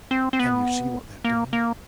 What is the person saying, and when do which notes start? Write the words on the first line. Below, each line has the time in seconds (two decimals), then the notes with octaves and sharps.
"Can you see what they are doing?"
0.11 C4
0.33 C4
0.39 B3
1.24 A#3
1.53 A#3